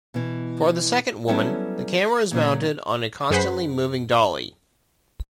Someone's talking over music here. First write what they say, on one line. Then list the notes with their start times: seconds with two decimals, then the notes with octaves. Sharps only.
For the second woman, the camera is mounted on a constantly moving dolly.
0.14 B2 E3
1.28 F#3 G3 B3 C#4 E4 A4
2.31 A#2 C#3 E3 F#3
3.31 F#2 G#4 B4 C5 F#5 B6